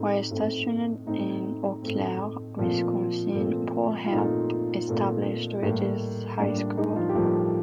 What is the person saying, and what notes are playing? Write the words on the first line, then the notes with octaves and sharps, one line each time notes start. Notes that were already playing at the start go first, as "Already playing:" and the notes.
While stationed in Eau Claire, Wisconsin, Paul help established Regis High School.
Already playing: A2 A3 C4 D#4
A2 A3 C4
A2 A3 C4 D#4
A2 A3 C4
A#2 F3 A3 C4 F4
A#2 A3 C4
F4
A#2 A3 C4 D#4
A#2 A3 C4
A2 G3 A#3
A2 G3 A#3 D4
D4
D#4
F3 F4
G4
A2 F3 G3 A#3 F4